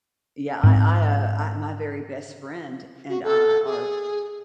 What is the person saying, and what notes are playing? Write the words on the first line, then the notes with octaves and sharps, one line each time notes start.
Yeah, I I, uh uh, my very best friend and I are
G#2 C4
F#4
A4
G#4